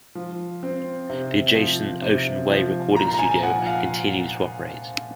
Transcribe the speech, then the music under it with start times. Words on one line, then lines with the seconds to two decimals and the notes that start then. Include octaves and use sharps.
The adjacent Ocean Way Recording studio continues to operate.
0.15 F3
0.63 C4
1.09 C3
1.55 F3
2.02 C3
2.50 F3
2.96 A#2 A#5
3.14 A#5
3.19 G#5
3.42 F3 F#5
3.66 F5